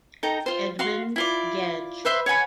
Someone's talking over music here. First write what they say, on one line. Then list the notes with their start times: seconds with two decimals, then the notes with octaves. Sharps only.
Edmund Gedge.
0.23 D#4 A4 G5 A#5
0.46 F4 C5
0.79 F#4 F5 C6
1.16 E4 F4 D5
2.05 B4 C5 E5 C6
2.26 C#5 F#5 G#5 B5